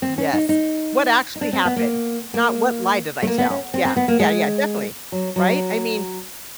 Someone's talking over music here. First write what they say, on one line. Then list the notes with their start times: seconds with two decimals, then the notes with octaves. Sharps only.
Yes. "What actually happened?" Not, "What lie did I tell?" Yeah. Yeah, yeah. Definitely. Right? I mean
0.02 C4
0.18 C#4
0.33 D#4
0.49 D#4
1.36 D#4
1.41 D4
1.53 C4
1.65 B3
1.76 A#3
2.34 A#3
3.22 A3
3.27 A#3
3.38 B3
3.50 C#4
3.74 C4
3.85 C4
3.96 B3
4.08 A#3
4.20 G#3
5.12 F#3
5.36 F#3